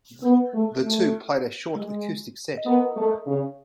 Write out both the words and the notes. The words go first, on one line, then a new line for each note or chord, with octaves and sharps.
The two played a short acoustic set.
B3
A3
A3
G#3
B3
A3
C#3